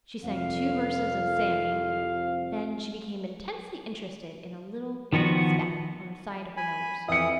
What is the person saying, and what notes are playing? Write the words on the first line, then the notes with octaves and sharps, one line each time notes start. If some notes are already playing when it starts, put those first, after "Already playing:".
She sang two verses of "Sammy." Then she became intensely interested in a little red speck on the side of her nose.
C2 F2 F5
D#3 F3 B3 F#4
G#5 B5
F2 E3 E5 D#6 C#7